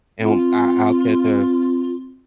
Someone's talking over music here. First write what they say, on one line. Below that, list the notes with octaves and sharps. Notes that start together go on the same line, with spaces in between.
and I I'll catch her
C4 F4